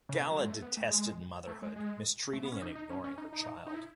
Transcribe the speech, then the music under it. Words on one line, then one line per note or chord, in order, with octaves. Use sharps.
Gala detested motherhood, mistreating and ignoring her child.
C#3
B2
F#3
G#3
A3
B3
A3
G#3
A3
G#3
G#3
A3
B3
C#4
D#4
D#4
C#4
C#4
D#4
D#4
D#4
E4